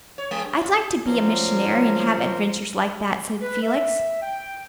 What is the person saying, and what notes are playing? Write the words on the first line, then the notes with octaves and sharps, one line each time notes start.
"I'd like to be a missionary and have adventures like that," said Felix.
C#5
G#3
G2
F4
F3 F#3 C#4 A#4 C5 D5
B4
E5
G5